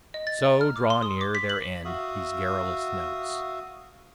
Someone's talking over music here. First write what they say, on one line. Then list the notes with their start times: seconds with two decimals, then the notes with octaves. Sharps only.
So draw near their end these garrulous notes.
0.14 D#5
0.27 A6
0.46 A#5
0.61 F6
0.76 D6
0.90 C6
1.03 D#6
1.21 D6
1.35 B6
1.50 F#7
1.85 F#4 E5 F5 D#6